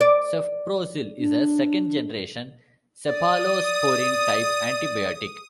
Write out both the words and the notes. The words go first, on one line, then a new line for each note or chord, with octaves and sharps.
Cefprozil is a second-generation cephalosporin type antibiotic.
D5
D4
D5 D#6